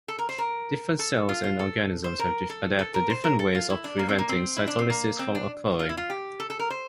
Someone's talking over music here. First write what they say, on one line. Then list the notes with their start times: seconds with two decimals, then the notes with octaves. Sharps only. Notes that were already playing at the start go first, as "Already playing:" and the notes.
Different cells and organisms have adapted different ways of preventing cytolysis from occurring.
0.08 A4
0.19 A#4
0.29 C5
0.38 A#4
0.99 A4
1.29 F4
1.44 F4
1.59 A4
2.04 C5
2.19 A#4
2.50 A4
2.79 A4
2.94 A#4
3.10 C5
3.24 A#4
3.39 A4
3.55 F4
3.70 E4
3.84 D4
3.99 A#3
4.09 C4
4.19 A#3
4.29 C4
4.57 E4
4.67 D4
4.79 C4
4.90 A#3
5.19 C4
5.35 D4
5.79 F4
5.89 E4
5.97 F4
6.10 G4
6.40 A4
6.50 A4
6.59 A#4
6.70 C5